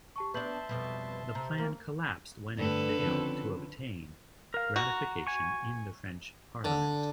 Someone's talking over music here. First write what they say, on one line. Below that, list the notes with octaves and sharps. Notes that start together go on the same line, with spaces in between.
The plan collapsed when it failed to obtain ratification in the French Parliament.
G4 A5 C#6
B3 D4 B4 E5 A5 C6 G6 F#7
F2 B2 G3
C3 A#5
D2 A#3 A#4
G2 D3 A3 C4 A4 B4
C#3 F3 C4
A#4 F5
F#4 A#5
G#5 C#6
D3